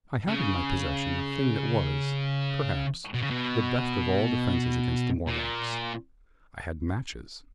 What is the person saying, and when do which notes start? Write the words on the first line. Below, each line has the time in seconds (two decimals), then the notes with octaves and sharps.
I had in my possession a thing that was, perhaps, the best of all defences against the Morlocks--I had matches!
0.28 C#3
3.14 B2
3.22 C#3
3.31 B2
5.27 A#2